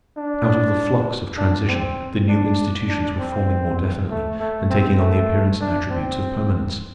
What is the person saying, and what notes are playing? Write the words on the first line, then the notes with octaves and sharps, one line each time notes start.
Out of the flux of transition the new institutions were forming more definitely and taking on the appearance and attributes of permanence.
D4
D4
C4
D4
D4
C4
A3
A3
C4
A3
D4
C4